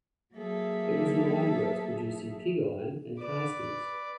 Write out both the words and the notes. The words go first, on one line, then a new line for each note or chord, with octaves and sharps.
It was an iron works producing pig iron and castings.
F#3 A#3 G#4 A4 E5
B4 D5